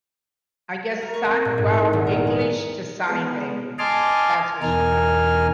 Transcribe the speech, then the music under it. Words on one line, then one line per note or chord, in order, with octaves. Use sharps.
I guess, si well, English to sign language, that's what she does.
A#4
C#6
C4
A#2
G#2
E4
D#1
A#4
G#3
G#3 B3
D#5 G#5 A5 C6 D6 F6
E2 B2 D#4 A#4 G#5 F6